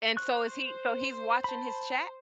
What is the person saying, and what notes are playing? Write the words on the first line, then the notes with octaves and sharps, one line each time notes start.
And so is he so, he's watching his chat
C5 C#6 F#6
A5 B5